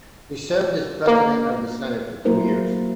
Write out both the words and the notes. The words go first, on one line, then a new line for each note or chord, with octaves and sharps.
He served as President of the Senate for two years.
A#3
F#3 A#3 E4 F#4 A#4 C5